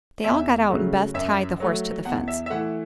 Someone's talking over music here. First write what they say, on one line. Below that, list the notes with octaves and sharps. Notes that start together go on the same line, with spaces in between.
They all got out and Beth tied the horse to the fence.
E2 E5
C#3 F#3 A3
F#2 E5
F#3 A3
E2 F#5
E5
E5
E3 A3 F#5